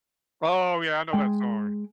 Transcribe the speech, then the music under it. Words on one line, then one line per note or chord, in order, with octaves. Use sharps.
Oh yeah, I know that song,
G#3 G5